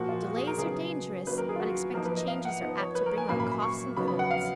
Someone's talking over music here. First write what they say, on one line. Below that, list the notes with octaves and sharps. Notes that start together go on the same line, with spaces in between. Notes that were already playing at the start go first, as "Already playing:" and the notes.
Delays are dangerous unexpected changes are apt to bring on Coughs and Colds.
Already playing: A#2 F3 A#3 F#4
F4
F#4
G#4
A#4
C#3 F#3 B3 D#4 G#4
D#3 F#3 A#3 C#4 B4
A#4
G#4
F4
F#4
F3 A#3 D#4 A#4
B4
D#5
F5
F#5
F3 B3 D#4
C#5
B4
A#4
G#5
A#2 F#3 A#3 C#4 B5
B5
B5
C#6
C#3 F#3 B3 D#4 B5
B5
F#5
F5